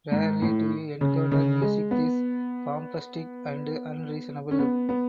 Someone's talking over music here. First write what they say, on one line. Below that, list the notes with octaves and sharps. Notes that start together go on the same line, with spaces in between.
Rarely do you encounter music this bombastic and unreasonable.
G#2
A2
C#3
C#3
G#3
B3
C#4
B3
B3